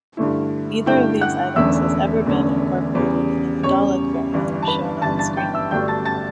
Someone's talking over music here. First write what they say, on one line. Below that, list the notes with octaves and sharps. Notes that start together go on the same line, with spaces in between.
Neither of these items has ever been incorporated in a Dalek variant shown on-screen.
G2 D3 A3 E4
G2 D3 A3 E4 G5 G6
F#5 F#6
E1 E2 D3 A3 C#4 E5 E6
E1 E2 D3 A3 C#4
E2 C#3 G3
E2 C#3 G3 C#5 C#6
G1 G2 E3
A5
B4 B5
G1 G2 E3 A5 A6
A5 A6
G5 G6
E5 E6
G1 G2 F#3 A3 D4 G5 G6
A5 A6
A5 A6